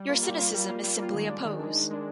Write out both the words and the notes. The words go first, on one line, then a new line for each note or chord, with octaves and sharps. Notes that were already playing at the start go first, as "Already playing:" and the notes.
Your cynicism is simply a pose.
Already playing: G3
A#3 F4
G3
A#3 F4
G3
A#3 F4
G3
A#3 F4
D#3
G#3 D4
D#3
G#3 D4
D#3
G#3 D4